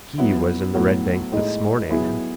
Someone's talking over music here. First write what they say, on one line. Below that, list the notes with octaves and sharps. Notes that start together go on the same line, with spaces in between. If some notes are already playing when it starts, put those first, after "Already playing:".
He was in the Red Bank this morning.
F#3 B3 E4
A2 F#3 B3 F#4
A2 G#3 D#4
F#3 B3 E4 G#4